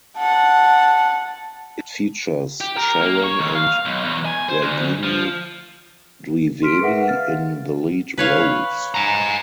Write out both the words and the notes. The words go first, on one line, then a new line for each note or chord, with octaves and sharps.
It features Sharan and Ragini Dwivedi in the lead roles.
F#5 A5
G4
A#4
A#3
C#5
D#2
F5
B1
E2
G#5
C5
D2
F3
C6 F6 B6 D7
G#4 A#4 B4 E5 F#5
F5 F6 A6
B4 C#5 F5
G#5 A#5